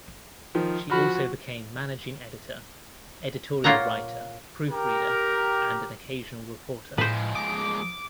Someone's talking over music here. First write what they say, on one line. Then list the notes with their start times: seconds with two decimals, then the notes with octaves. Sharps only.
She also became managing editor, editorial writer, proof reader and an occasional reporter.
0.55 D#3 F3
0.90 F3 F#4 B5 F6
3.64 A#2 A#3 F4 C#5 F#5 A#5
4.71 G4 A#4
6.98 A2 F3 G#3 B4 C5
7.35 D6 D#6